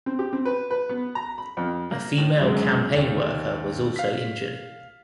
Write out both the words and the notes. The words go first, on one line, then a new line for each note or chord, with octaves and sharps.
A female campaign worker was also injured.
C4
G4
C4
B4
B4
B3
A#5
B5
F2
A#3
A2
F#2 F#3 G#3
D#2
F5 B6